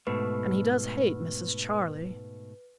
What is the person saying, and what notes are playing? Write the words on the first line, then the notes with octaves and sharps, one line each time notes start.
And he does hate Mrs. Charley.
G#2 B2 A3 B4